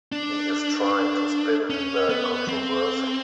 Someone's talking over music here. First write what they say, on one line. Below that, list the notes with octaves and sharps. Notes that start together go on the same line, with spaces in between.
He is trying to spin the controversy.
D4
C#4
B3
C4